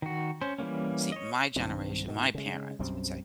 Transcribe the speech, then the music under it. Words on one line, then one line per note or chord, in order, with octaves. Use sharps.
see, my generation, my parents would say,
D#3 F#4
C#4 C5
E3 G3 A#3 C#4
C#5 D#5
B1 G2 D#3 C4
G#2 B2 D#3
C#3 G#3
B1 F#2 G3 C4